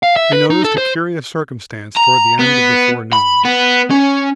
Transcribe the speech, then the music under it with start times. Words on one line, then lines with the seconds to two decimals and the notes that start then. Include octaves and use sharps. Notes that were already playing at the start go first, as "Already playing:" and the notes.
We noticed a curious circumstance towards the end of the forenoon.
0.03 F5
0.16 E5
0.33 B4
0.50 D#4
0.64 A4
0.78 C5
1.96 A#5
2.39 B3
3.13 B5
3.45 B3
3.90 C#4